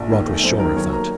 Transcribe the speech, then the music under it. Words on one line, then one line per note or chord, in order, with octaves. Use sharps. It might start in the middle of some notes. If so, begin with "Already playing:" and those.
Rod was sure of that.
Already playing: A#1
D#3
A3
F#2 C5
D#3 A#4
F#3 C#5
A#3 A#5